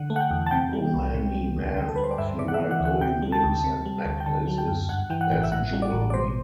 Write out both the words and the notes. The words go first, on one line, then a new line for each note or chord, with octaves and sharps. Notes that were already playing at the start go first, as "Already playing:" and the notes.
Romani men often wear golden rings and necklaces as jewelry.
Already playing: D3 F#5
A3
F#5
G5
E2
A5
C3 G5
G3
C2
C3
G3
D2
D3 G5
A4
G3 B4
C5
D5
G2 E5
C3 D5
F#5
E5
E3
F#5
D2
F#5
C3 G5
G3
A5
D2
C3
G3
D2
G5
D3 A5
F#3
G5
F#2
G2 F#5
E3 G5
F#5
A1 G5
E5
A2 F#5
G3
D5
A1
D5
B2 C5